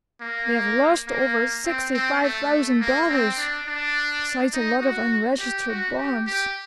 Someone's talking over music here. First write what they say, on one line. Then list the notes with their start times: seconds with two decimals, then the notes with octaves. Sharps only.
They have lost over sixty-five thousand dollars, besides a lot of unregistered bonds.
0.21 A#3
1.07 A#3
1.65 C4
1.93 C4
2.23 A3
2.51 A3
2.80 A#3
3.09 C4
3.38 D4
3.67 D4
4.53 D#4
4.82 F#4
5.39 G4
5.68 F#4
5.97 G4
6.27 G4